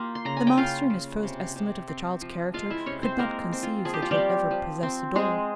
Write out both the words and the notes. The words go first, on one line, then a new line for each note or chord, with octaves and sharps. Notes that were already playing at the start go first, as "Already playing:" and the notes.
The master in his first estimate of the child's character could not conceive that she had ever possessed a doll.
Already playing: A#3 F4 G4
C6
C#3 A#5
G#5
G5
C#3 F4 F5
C#3
C3
C3
C4
F3
G#3 F4 F5
E4 E5
C3 C#4 C#5
C4 C5
G#3 A#3 A#4
C4
F4
F3 G#4
G4
F4
G3 G4
C4
F3
C4
G#3 C4 G#4